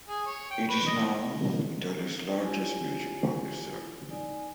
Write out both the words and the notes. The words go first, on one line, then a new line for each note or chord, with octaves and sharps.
It is now Italy's largest music publisher.
G#4
C#5
G5
B4
D#5
E4 F4 G4 C#5 G#5
D#4 D5 G#5